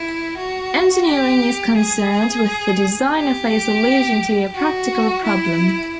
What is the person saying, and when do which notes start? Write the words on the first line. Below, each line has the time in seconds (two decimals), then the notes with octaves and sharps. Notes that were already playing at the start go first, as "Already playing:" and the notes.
Engineering is concerned with the design of a solution to a practical problem.
Already playing: E4
0.37 F#4
1.07 G4
1.77 G#4
3.16 G4
4.55 F#4
5.24 E4